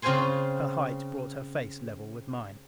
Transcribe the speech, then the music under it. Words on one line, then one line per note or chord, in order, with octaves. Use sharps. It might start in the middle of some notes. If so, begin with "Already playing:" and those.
Her height brought her face level with mine.
C#3 C4 F4 C5 G#5 C6